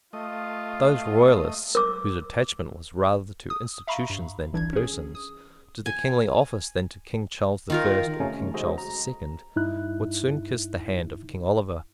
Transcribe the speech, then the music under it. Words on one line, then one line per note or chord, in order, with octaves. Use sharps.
Those Royalists whose attachment was rather to institutions than to persons, to the kingly office than to King Charles the First or King Charles the Second, would soon kiss the hand of King Oliver.
A3 F4 D#5
A#4 D6 E6
D#6
E5 F5 A#5 B5 C#6
G2
G1 C2 E3 D4 G#6
C#4 G#4
D#6
G#5
D#3 F4 A#4
C3 D#3 A3 C#4 D#4
G#3 F#4 A4 C5 D#5
A#5
G2 D#4 E4 F#6